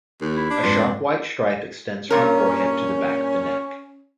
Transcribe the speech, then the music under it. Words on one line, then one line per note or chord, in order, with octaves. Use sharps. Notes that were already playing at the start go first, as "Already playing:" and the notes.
A sharp white stripe extends from the forehead to the back of the neck.
D#2
E4
D4
F2 G#2 F4 B4
G2 A#2 C#4 A#4